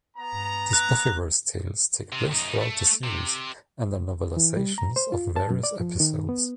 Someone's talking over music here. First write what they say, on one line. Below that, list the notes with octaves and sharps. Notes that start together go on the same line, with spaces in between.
These Buffyverse tales take place throughout the series and are novelizations of various episodes.
B3 A#5
F#6
C3
F#2 D#4
A3
C3
E3
G3
A#5
C5
F4
A5
F#2
D5
F3
D#3
B3